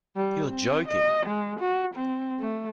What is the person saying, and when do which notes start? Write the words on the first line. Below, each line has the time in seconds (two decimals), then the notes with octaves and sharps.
You're joking!.
0.16 G3
0.47 C4
0.88 D#5
1.26 G#3
1.60 F#4
1.95 C4
2.40 A3